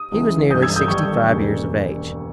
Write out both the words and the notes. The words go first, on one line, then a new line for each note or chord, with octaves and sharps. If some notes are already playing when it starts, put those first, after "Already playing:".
He was nearly sixty-five years of age.
Already playing: D#6
C#2 C#3 E3
G1 G2 E3 D#6 G6
E6 G#6
D#6 G6
G1 G2 D#3 C#6 E6
E1 D#2 C#3